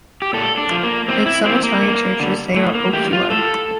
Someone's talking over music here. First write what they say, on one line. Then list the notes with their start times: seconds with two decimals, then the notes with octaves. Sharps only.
In some Italian churches they are ocular.
0.22 G4
0.33 A#2 A4
0.58 D4
0.71 F3
0.83 A#3
1.08 A2 C4
1.26 E4
1.45 E3 G3 C4
1.63 A#3
1.81 G2
2.19 D3 G3
2.56 A2 A3
2.75 A#3
2.93 E3 G3 G4
3.13 F4
3.30 A2 A4